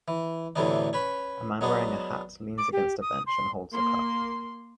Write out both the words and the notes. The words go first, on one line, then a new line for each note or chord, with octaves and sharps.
A man wearing a hat leans against a bench and holds a cup.
E3
D2 A2 C3 E3 G3 D4
C#4 B4 B5
F#3 G#3 B3 D4
D6
G4
D#6
C6
A#3 C6